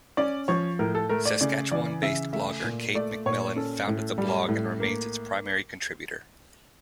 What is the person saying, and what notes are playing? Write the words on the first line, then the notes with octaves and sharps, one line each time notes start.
Saskatchewan-based blogger Kate McMillan founded the blog and remains its primary contributor.
C#4 D5
F3 C#5
A2 A#4
A4
A3 A#4
D5
C#3 D5
E3 D5
C#3 E5
A3 E5
A#2
A3 D5
A#2 C#5
C#4 A4
A2
G3
A2
A#3